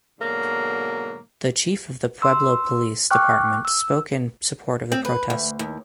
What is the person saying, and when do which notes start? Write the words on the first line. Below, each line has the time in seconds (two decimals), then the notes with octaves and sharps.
The chief of the Pueblo Police Department spoke in support of the protest.
0.20 G#2 B2 D3 F#3 A#3
2.22 C6 E6
3.11 G5 C#6 D6 F6 F#6
3.65 E6
4.92 C4
5.05 B4
5.30 D2
5.59 D#2